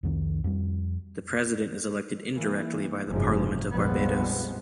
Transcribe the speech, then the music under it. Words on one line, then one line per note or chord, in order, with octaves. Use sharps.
The president is elected indirectly by the Parliament of Barbados.
C2 F2 D#3
F2 G3
E3 A#3
F#1 G#2 C3 F3
A#1 F2 F3 G3 G#3 B3